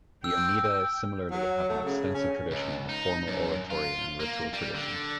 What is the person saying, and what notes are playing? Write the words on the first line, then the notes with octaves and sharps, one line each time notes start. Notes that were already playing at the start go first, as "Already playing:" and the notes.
The Oneida similarly have an extensive tradition of formal oratory and ritual tradition.
G5 E6
F#3
A3
C#3
C#4
C#2
D#4
F#2
F4
A#3
G3
D3